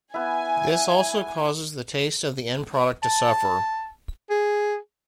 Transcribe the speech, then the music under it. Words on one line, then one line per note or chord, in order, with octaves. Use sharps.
This also causes the taste of the end product to suffer.
B3 E4 G#5
A5
G#4